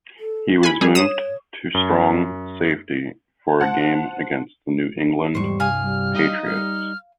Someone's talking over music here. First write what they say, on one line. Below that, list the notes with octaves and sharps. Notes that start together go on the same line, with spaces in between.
He was moved to strong safety for a game against the New England Patriots.
A4
E4 G#5 B5
G3 G#4 A#4
C#5 D#6 E7
F#2
C5 F#5 A5
E2 G#2 G3 C5 C#6
C2 G2 F5 G#5 D#6 F6
G3
D#4 D#5
G3 F6